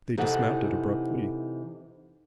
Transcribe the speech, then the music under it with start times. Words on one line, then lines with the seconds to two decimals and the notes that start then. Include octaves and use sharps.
They dismounted abruptly.
0.18 C3 E3 D#4 A4 F#5